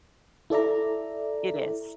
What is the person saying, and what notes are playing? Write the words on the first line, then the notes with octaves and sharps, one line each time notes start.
It is.
E4 A4 D5 E5 A#5